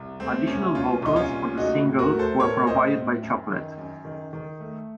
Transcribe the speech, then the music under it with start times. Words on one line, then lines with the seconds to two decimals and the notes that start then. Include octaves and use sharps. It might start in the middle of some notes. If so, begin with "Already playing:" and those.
Additional vocals for the single were provided by Chocolette.
Already playing: C2
0.19 A3 C4
0.47 C2 C#4
0.74 A#2 C#4 F4
1.02 C2 D#4
1.16 C#4 F4
1.30 A#2
1.57 A3 D#4 F#4
1.85 A2
1.99 F#4 A#4
2.12 A3
2.19 A4 C5
2.40 A2 A#4 C#5
2.67 A2 C5 D#5
2.95 A2
3.22 F#2
3.50 D#3
3.78 F#2
4.05 D#3
4.33 D#3
4.60 A3